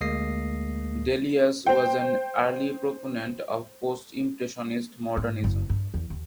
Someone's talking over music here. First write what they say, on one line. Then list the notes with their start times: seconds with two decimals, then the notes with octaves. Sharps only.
Delius was an early proponent of post-impressionist modernism.
0.01 D2 G#3 A#3 D#6 A#6 C7
1.66 C5 G5
5.17 G#2
5.44 F#1
5.70 G2
5.94 E2
6.10 D#2